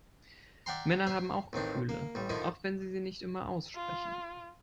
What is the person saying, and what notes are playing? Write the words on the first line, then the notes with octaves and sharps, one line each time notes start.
Männer haben auch Gefühle, auch wenn sie sie nicht immer aussprechen.
D5 E5 F#5 G5 A#5 C6
C5 E5
A1 D#3 C4 D4
A#3
A1 G3
D3 D#3 F3 D#4 E4
F4